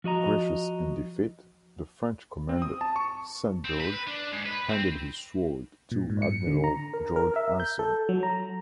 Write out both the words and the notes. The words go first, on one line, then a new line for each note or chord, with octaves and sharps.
Gracious in defeat, the French Commander, Saint-Georges, handed his sword to Admiral George Anson.
F3 F#4 D#5 A#5
C4
D#6
A5
C#6
C4
B4
B4
D4
G#2
B4
C4
A#2
G#2
C#7
D3
A#5
A#4
A#4
E5
G6
A4
F#3
A#5